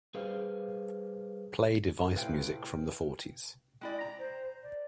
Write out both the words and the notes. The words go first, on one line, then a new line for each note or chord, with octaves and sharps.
Play Device music from the fourties.
G3 G#4 B4 C5 F5
A2 C3 B4 F5 G5
G#3 E4 D5 G5
A#5
C5
D5